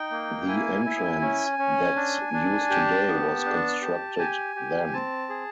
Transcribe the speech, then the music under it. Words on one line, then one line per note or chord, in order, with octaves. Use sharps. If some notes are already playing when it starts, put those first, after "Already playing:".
The entrance that's used today was constructed then.
Already playing: D#4 G5
A#3
E4 G#5
E4
C#4
C#4
D4
D4
G4 A5
B3
D4
G4
G4 G#5
G4
C4 A5
G#4